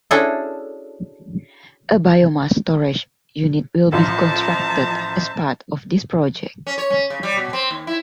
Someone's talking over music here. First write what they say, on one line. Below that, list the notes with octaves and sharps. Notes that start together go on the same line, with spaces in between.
A biomass storage unit will be constructed as part of this project.
C#4 D4 E4 F#4 G#4 A4
A1 F3 C5 E5 A5 A#5
C#4
C#5
C#4
C#3
G3
B2
C4
D#2
E4